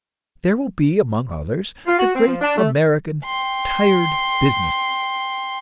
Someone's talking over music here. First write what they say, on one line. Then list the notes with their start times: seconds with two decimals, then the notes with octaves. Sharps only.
There will be, among others, the great American tired business man.
1.85 F4
1.98 F#4
2.14 C4
2.26 F3
2.41 D4
2.56 A3
3.24 G5 C6